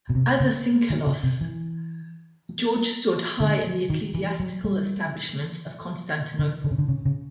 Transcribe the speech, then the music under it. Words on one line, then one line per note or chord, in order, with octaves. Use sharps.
As a "synkellos", George stood high in the ecclesiastical establishment of Constantinople.
B2
C3
C#3
D#3
C#3
C3
E3
D3
D#3
E3
F#3
G3
D3
D3
C#3
D3
C#3
C#3